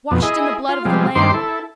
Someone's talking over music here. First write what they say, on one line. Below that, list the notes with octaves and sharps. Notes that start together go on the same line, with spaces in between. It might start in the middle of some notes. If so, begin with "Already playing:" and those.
Washed in the blood of the Lamb.
F2 B2
E4 G#4 D#5
F4
C3 F3 G3 G#3
G2 D#3 C4 C5 C6 D6
E4 A4